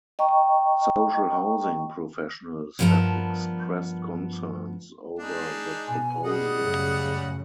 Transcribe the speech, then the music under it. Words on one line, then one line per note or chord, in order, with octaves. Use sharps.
Social housing professionals have expressed concerns over the proposal.
D#5 G5 A#5 C#6
G2 F3 A3 B3 A#4 A5
G#3 D4 D#4
B2 G#5
G3 G#4 D#5 F#5
F#2 A2 C#3